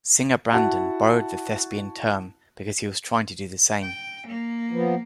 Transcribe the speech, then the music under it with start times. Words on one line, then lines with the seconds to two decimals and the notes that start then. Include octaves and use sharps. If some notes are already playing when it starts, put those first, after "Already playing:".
Singer Brandon borrowed the thespian term because he was trying to do the same.
0.53 E4 F#4 F#5 A5
3.81 G5
4.27 A#3
4.71 F3 B3